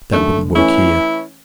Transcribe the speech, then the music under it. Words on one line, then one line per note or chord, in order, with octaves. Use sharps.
That wouldn't work here.
F#2 D3 A3
E3 A3 C#4 E4